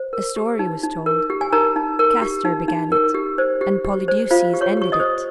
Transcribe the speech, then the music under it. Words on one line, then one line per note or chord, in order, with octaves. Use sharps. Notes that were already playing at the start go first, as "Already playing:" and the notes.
A story was told; Castor began it and Polydeuces ended it.
Already playing: C5
A#4
G4
D#4
D#4
A#4
G4
G#5
D#4 A#4 A#5
D#4
A#4
G4
D#4
D#4
A#4
G4
C5
G4
G4
C5
F4 C5 F5
G4
C#5 C#6
G4 C#6
D#5 D#6
C5